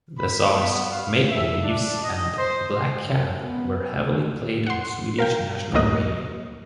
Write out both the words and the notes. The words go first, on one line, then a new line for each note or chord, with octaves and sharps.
The songs "Maple Leaves" and "Black Cab" were heavily played on Swedish national radio.
B5
B3
F5
E5
D4
D#5
C5
F#2
B3
F#5 C6
A#4 F5 G5
D2 A2 F#3 A#3 D#5 F#6